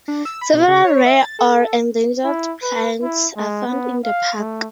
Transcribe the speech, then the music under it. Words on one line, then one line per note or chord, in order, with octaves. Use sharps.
Several rare or endangered plants are found in the park.
D4
E6
B5
B2
C#3
C#5
E5
A6
A4
E4
B4
E4
G#3
B3
F5
A3